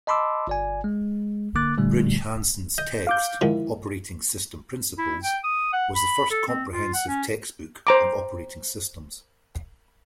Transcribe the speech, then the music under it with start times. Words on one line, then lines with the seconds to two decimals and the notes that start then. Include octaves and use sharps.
Brinch Hansen's text, "Operating System Principles", was the first comprehensive textbook on operating systems.
0.07 D#5 A5 B5 C6 D6 E6
0.47 G1 D5 G#5
0.84 G#3
1.55 D3 A#3 D6 F#6 A6
1.78 A#2 D3 G3 A3
2.78 D#5 G6
3.07 F5 D6 G6
3.41 G#2 D#3 F3 E4
4.98 E4
5.23 G5
5.44 D#6
5.73 F#5
5.95 B5
6.31 A4
6.48 C4
6.70 F4
6.94 F#5
7.08 C#4
7.87 C5 A#5 D6